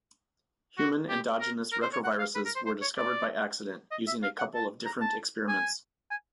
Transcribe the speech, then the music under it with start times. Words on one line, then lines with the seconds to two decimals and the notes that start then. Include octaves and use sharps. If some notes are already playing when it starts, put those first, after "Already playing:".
Human endogenous retroviruses were discovered by accident using a couple of different experiments.
0.78 F#4
1.09 G4
1.40 A#4
1.72 A#4
1.82 C5
1.93 C#5
2.04 F#5
2.19 F5
2.35 B4
2.45 A#4
2.56 C5
2.66 C5
2.82 C#5
2.97 D5
3.91 D#5
4.07 E5
4.23 F5
4.39 F#5
4.55 A5
4.86 A#5
5.01 A5
5.48 G#5
6.11 G#5